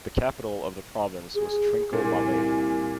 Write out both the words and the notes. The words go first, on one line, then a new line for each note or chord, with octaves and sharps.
The capital of the province was Trincomalee.
G#4
C2 A#2 G#5